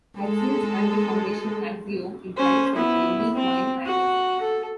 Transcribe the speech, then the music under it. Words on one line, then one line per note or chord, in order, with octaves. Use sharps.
Aczel's anti-foundation axiom implies there is a unique Quine atom.
G#3 A4
C#4 C5
B3 E4
C4
F#4 F#5
A4